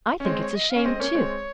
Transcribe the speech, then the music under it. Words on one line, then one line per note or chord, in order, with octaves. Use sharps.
I think it's a shame, too.
C#4
G#3 C4 C#5
C#5
D#5
F5
C#4
G#3 C4 D#5
C4
A#3 C#4 C#5
G#3 C4